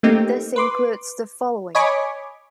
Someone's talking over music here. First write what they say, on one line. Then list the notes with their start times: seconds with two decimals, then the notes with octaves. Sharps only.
This includes the following.
0.03 A3 A#3 C4 D#4 G4
0.56 B4 C6 D6
1.75 C#5 D#5 G#5 B5 C#6 D6